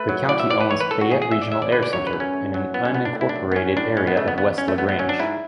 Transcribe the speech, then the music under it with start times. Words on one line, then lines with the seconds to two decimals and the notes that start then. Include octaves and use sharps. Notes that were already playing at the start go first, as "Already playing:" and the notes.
The county owns Fayette Regional Air Center, in an unincorporated area west of LaGrange.
Already playing: A3 B4
0.09 F#3
0.29 A2 D5
0.40 E5
0.50 A2 D5
0.61 B4
0.70 E3 C#5
0.80 B4
0.91 C#3 A4
1.01 F#4
1.11 E2 G#4
1.22 G#4
1.31 E2 E5
1.42 D5
1.52 G#3 E5
1.62 D5
1.72 D3 B4
1.83 D5
1.93 F#2 C#5
2.07 B4
2.13 F#2
2.20 C#4
2.33 A3
2.54 F#3
2.74 A2 B3
2.85 C#4
2.94 A2 B3
3.05 D4
3.15 A3
3.21 E4
3.29 D4
3.36 F#3
3.52 B3
3.56 A2 C#4
3.77 A2 D4
3.97 G#3 C#4
4.07 B3
4.17 C#3 A3
4.28 B3
4.38 E2 B3
4.58 E2 C#4
4.68 A3
4.78 A3 B3
4.89 B3
4.99 F#3 C#4
5.09 D4
5.19 G#2 E4